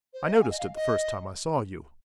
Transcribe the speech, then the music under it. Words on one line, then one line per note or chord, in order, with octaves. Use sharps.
I noticed it the first time I saw you.
C5
D#5
F5
G#5
D#5
F5
D#5